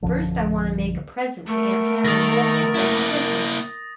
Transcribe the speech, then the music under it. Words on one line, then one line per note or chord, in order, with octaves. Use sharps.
"First, I want to make a present to Aunt Hannah and Betsey, next Christmas."
A#1 F#2 D3 F3
A3 B3 A#4
D#3 D#6 A6 A#6
A#3 E4